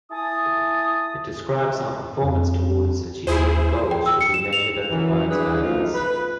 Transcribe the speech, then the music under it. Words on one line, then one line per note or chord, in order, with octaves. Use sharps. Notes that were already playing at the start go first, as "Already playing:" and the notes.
It describes how performance towards achieving the goals should be measured and provides guidance.
E4 G#5 A5 D#6
F2
D#2 E4 G#4 C5
G5
E6
C#7
E7
F7
F#2 E3
E3 G3 D4 G#4 B4
F#2 B2 F3 A3 D#4 F4
B4